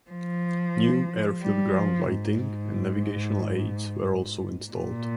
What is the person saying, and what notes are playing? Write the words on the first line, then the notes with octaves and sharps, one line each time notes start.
New airfield ground lighting and navigational aids were also installed.
F3
G3
F3
G#2
A#2